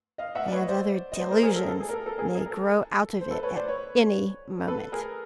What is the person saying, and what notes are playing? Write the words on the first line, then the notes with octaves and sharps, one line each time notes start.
"And other delusions may grow out of it at any moment."
D#5 F5
E5 F#5
D5
B4 C#5
D#5
C5 D5
D#5
C5 D5
A#4 C5
G#4 A#4
A4
A4
G#4
A#4
A4
A4
G#4 A#4
G#4
A#4
A4
C5
A4 B4
B4 C#5
C5 D5
B4 C#5
A4 B4
G#4 A#4